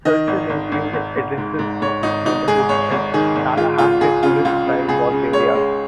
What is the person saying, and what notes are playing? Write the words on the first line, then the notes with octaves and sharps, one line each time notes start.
Searches include addresses, parks, neighborhoods and Tallahassee Police Crime Watch areas.
D#3 D#5
G#1
G#1
G#1
G#1
G#1
G#2
G#2
G#2 C#5
G#1 D#4
G#1 D#4
G#2 G#4
G#1 C#5
G#1
D#3 G#4
G#1
G#3 F4
C#2 F4
C#2 G#4
C#3 F4
C#2 F4
C#3
C#2 G#4
C#3
G#3 C#5
G#3